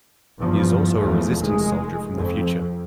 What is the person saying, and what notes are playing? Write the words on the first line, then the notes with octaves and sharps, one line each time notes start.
He is also a Resistance soldier from the future.
E2 G2 F3
E2 F3 G#3 A3
F1 D#3 G#3
F2